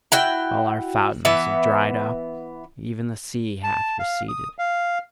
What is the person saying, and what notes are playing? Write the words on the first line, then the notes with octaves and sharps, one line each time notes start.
All our fountains have dried up, even the sea hath receded.
E4 F#4 G5
E3 B3 E5
A5
F5
D#6
F5